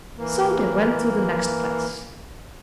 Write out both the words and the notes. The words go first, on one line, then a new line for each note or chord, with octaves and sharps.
So they went to the next place.
E3 A#3